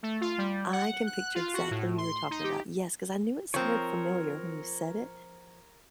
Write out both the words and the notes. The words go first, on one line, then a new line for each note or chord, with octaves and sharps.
I can picture exactly who you're talking about. Yes, 'cause I knew it sounded familiar when you said it,
A3
F4
G3
F#5
F#6
F4
F#4
A2
C6
D#4
G4
F3 C4 A#4 C#5